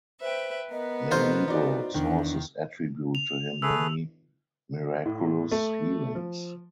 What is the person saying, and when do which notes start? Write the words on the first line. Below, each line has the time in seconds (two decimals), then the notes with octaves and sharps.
Medieval sources attribute to him many miraculous healings.
0.21 B4 C5 E5 G5
0.72 B3 A#4 B4 D#5
1.11 C3 A3 D#4 F4 C5
1.48 D#4 F#4 D5
1.94 E2 D#3 D4
3.15 F7
3.62 A3 G#4 B4 E6
5.06 A2
5.51 A3
6.15 F3